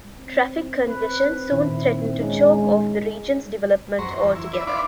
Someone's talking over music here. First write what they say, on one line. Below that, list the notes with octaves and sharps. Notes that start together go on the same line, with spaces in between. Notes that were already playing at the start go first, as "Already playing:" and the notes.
Traffic congestion soon threatened to choke off the region's development altogether.
C4
B4
A#2 D#3 E4
G#3 C#4 D#4
F#2 C5 A#5 C#6
E2
E4
E4 B4 D5 E5
D4 D5 F5 B5 C6 D6